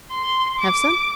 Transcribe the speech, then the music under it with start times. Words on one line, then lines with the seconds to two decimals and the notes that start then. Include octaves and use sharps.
Have some?'
0.11 C6
0.59 D6